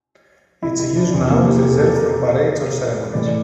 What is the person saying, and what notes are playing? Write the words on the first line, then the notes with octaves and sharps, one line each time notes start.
Its use now is reserved for parades or ceremonies.
E4
E4
D4
E2 C3 E3 C4
A#3
G4
A4
A4
A#4
A2 E3 D5